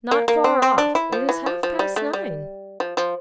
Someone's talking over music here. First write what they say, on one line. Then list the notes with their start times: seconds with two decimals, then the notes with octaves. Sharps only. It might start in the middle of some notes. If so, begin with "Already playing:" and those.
'Not far off--it is half-past nine.
0.11 A#3
0.28 A#3
0.44 C4
0.62 C4
0.78 D4
0.95 E4
1.12 F3
1.29 E3
1.46 F3
1.63 F3
1.79 G3
1.96 A3
2.13 G3
2.80 F3
2.97 F3